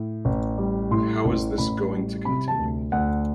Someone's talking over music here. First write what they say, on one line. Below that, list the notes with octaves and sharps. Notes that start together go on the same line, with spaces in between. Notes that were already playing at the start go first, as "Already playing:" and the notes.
How is This Going to Continue?
Already playing: A2
A1
G3
A2 C6
A1
A1 B5
G3
C3 B5
A5
D2
D2 F#5